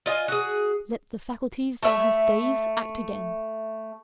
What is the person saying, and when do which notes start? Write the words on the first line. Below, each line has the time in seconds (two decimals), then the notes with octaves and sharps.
Let the faculties thou hast dazed, act again.
0.06 F4 D#5 G#5
0.28 F#4 G#4
1.83 A3 E5